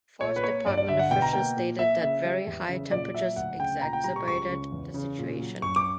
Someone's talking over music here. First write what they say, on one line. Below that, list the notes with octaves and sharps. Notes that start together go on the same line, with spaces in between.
Forest department officials stated that very high temperatures exacerbated the situation.
A#2 C#5
B4
A#3 C#5
G2 D5
D5
D3 E5
F#5
B2 G5
A#5
A#3 G5
A#2
A#3 E5
C#3 E5
G3
E2
C#3
A#2 D5
F#3 E5
D2 F#5
C#3 G5
A#2 A#5
G5
G3 A#5
C#6
C#2 C#6
C#3
E2
C#3
A#2
F#3
F#2 C#6
D6